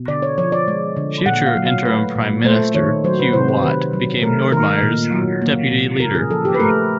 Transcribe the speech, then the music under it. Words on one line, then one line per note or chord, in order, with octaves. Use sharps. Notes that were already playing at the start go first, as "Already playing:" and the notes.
Future interim Prime Minister, Hugh Watt became Nordmeyer's deputy leader.
Already playing: B2
D3 D5
C#5
F3 C#5
D5
G#3
D3
A#2 F#5
F5
F#3
F5
A3 B4
A#2
A3 C5
D#3 C#5
F#3 C5
B4
C3 C5
C5
D#3 B4
F#3
A3 A#4
D#3 A#4
A#2
F#3
A#3
A#2
C#3 A#4
G#4
F3 A4
G4
B4
A3 A#4